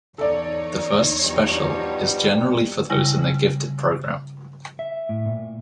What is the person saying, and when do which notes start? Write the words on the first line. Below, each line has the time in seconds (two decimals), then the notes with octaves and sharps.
The first special is generally for those in the gifted program.
0.18 E2 D#4 A4 C#5 D5
1.21 B2 F3 G3
2.90 C#3 G3 E4 G#5
4.79 E5
5.09 A2
5.26 A#2